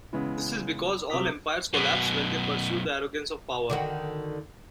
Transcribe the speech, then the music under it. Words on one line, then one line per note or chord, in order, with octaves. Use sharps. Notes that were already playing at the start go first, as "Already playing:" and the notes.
This is because all empires collapse when they pursue the arrogance of power.
C#3 E3 G#3 B3 E4
C3 F3 D6 D#6 B6
F#2 B2
D3 D#3 F#4